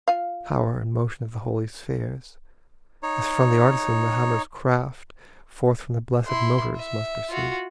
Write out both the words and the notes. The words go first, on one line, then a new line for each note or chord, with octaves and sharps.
The power and motion of the holy spheres, As from the artisan the hammer's craft, Forth from the blessed motors must proceed.
F4 F5
D#4 C#5
E4 C6
E5
F4 F#4